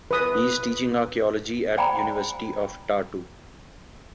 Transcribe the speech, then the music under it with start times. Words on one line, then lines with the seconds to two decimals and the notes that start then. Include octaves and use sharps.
He is teaching archeology at University of Tartu.
0.11 B4 D#6
1.77 C5 D5 G5 G#5 A#5 B5